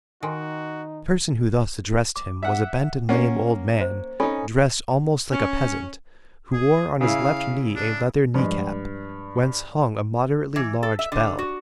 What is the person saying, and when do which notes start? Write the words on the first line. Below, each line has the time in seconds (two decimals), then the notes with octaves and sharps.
The person who thus addressed him was a bent and lame old man, dressed almost like a peasant, who wore on his left knee a leather knee-cap, whence hung a moderately large bell.
0.23 D#3 D#4 F#4 G5 G#5 C6
2.16 D6
2.43 E5 F#5
3.09 A#3 C#4 F#5
3.81 C5
4.20 C#4 D#4 A4 G#5 B5
5.32 C#4
6.53 G#4
7.01 C#3 E4 F5
7.76 D4
8.34 G2 F3 G#3
10.56 E3
10.83 A4
10.99 E5
11.12 D3
11.39 F#4